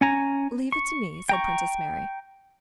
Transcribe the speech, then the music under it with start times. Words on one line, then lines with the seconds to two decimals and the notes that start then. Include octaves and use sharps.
"Leave it to me," said Princess Mary.
0.01 C#4 G#5 A#5
0.72 C#6
1.29 G5 A#5 C#6